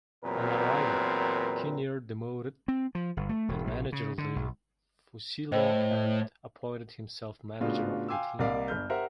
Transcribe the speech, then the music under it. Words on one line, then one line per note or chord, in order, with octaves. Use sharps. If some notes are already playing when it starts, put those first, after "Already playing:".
On arrival, Kinnear demoted then-manager Lil Fuccillo and appointed himself manager of the team.
E2 A#2 F#3 C4 A#4 B4
C4
F3
G1
A3
E1
A#1
C#3
D3
B1
A2 C5 D#5 G5
A2 C#3 B3 D4 F4 F#4
F5 G5 G#5 C6 D6 E6
C2 A#3 A#4 D5 D#5 F5
G1 F6 G6
G4 A#4 C5 E5 F#5